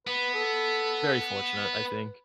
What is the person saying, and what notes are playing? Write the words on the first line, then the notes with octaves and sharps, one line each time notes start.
very fortunate, I think.
B3 B4
A4
B4